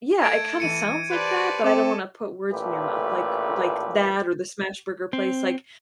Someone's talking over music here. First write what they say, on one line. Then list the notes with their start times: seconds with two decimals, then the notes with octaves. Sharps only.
yeah, it kinda sounds like that, but I don't wanna put words in your mouth, like like, that or the smash burger place, like
0.22 A3 A4 G#6 D7
0.60 E3 C#7 D#7
1.12 G4 B4 C5 D5 A5
1.64 C4 A4 D6
2.52 A1 A#2 A3 G4 A4 B4
5.13 C4